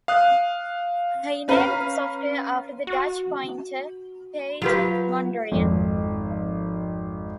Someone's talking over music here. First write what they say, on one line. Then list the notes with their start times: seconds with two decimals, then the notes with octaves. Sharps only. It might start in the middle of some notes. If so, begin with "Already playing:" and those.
He named the software after the Dutch painter Piet Mondrian.
0.08 F5 D#6 F#6
1.48 C#4 B4 F5 A#5
2.87 F#4
4.62 F#3 F4 G4 B4
5.52 G#1 F2